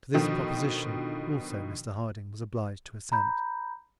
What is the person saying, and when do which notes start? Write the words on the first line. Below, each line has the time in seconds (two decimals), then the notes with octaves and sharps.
To this proposition also Mr Harding was obliged to assent.
0.14 B2 D3 D#3 F3
3.12 A#5 B5 G6